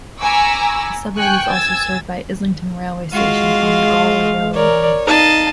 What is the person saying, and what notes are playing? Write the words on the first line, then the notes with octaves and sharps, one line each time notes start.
The suburb is also served by Islington railway station on the Gawler Railway Line.
G#5 A#5 B5 C#6 D6 E6
G5 G#5 C#6 F#6
G#5 E6 G#6 A6
G#3 F4 F#4 F5
A#4 C#5 D5
D#4 D#5 F5 A5